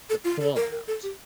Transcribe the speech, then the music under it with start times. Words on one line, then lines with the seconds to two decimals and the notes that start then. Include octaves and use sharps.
the fallout.
0.10 A4
0.24 F4
0.40 A4
0.56 A#4
0.71 A#4
0.88 A4
1.03 G4